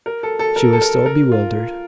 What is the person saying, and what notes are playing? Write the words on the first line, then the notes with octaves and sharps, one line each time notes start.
She was still bewildered.
A#4
A4
A4
A#4
A4
A#4
A#4
F4